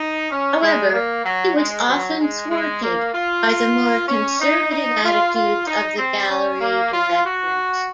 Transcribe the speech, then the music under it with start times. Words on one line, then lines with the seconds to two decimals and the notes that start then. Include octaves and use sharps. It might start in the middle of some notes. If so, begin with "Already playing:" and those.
However, he was often thwarted by the more conservative attitudes of the gallery directors.
Already playing: D#4
0.30 C#4
0.62 G#3
0.93 A#3
1.24 F#3
1.56 G#3
1.87 F#3
2.19 G#3
2.51 G#3
2.83 A#3
3.13 F4
4.08 C#4
4.40 D#4
4.71 D#4
5.03 F4
5.34 F4
5.66 D#4
5.97 C4
6.29 C#4
6.60 A#3
6.93 F4
7.24 F#4